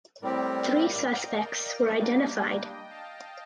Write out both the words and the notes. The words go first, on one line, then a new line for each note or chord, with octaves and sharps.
Three suspects were identified.
A2 G3 C4 G4 A#4 D5
D5 F5
D#5 G5
G3 A#3 D4
F5 A5